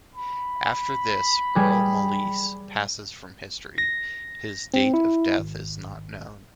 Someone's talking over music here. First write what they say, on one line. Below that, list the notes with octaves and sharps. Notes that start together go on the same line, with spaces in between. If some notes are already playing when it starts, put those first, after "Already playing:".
After this, Earl Malise passes from history; his date of death is not known.
B5
G3 G#4
A#6
C4
E4
G#1